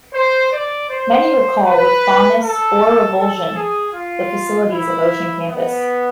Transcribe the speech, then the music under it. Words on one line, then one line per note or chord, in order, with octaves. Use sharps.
Many recall with fondness or revulsion the facilities of Ocean Campus.
C5
D5
C5
B4
A4
A4
G#4
F4
E4
B3